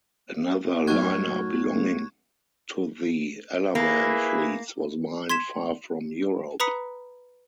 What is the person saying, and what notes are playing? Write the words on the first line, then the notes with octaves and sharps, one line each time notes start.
Another liner belonging to the Ellerman fleets was mined far from Europe.
F#2 A2 F#3 D#4 F#4 C#6 F#6 G#6
A#3 E4 G#4 B4
C6 G#6 B6 E7
B4 A#5 B5 D#6 B6 C#7